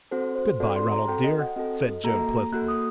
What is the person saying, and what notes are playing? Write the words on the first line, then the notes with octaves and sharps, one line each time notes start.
"Good-by, Ronald dear," said Joe pleasantly.
C4 F#4 A4 C5
C5
C4 F#4 A4 D5
C6
A#5
C4 F#4 A4 G5
D#5
F#5
C4 F#4 A4 D#5
A#3 F#4 A4 A#5
A#3 F#4 A4 F#6
D#6